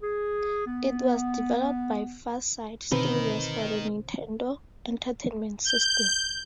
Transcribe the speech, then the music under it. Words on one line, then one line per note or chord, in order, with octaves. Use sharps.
It was developed by FarSight Studios for the Nintendo Entertainment System.
G#4
B3
B2 D3 D#3 C4 D#4 A#4 B4
G6